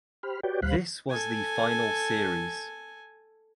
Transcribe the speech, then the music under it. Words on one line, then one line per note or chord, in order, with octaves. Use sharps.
This was the final series.
G4 C5 B5 F6
F#4 G4 B4 C#5 D5 G5
D2 G3 C5 F5 B5 F#6
A4 G#5